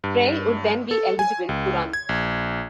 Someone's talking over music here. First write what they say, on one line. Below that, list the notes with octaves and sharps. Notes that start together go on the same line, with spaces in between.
Frei would then be eligible to run.
G2
A4
G#5
C#2
G#6
A#1